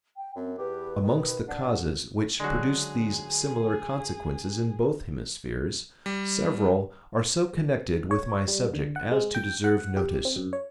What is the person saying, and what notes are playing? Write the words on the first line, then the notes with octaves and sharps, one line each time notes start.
Amongst the causes which produce these similar consequences in both hemispheres, several are so connected with my subject as to deserve notice.
G5
F#2 C4
E2 G4 B4
B2 D#3
A2 D4 F#5
D3 F#3 G#3 F#4 G#4
G3
C#5
G3
D3
F#5
G#3
G5
F#5
G4
C4
F#2
C#5